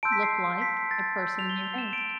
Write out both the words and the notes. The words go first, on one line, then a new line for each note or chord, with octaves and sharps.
look like the person they raised.
A5 C6 E6 G6 D7
B6
C7
B6
B6
A6
A5 E6 G6
F7
G7
F7
E7
D7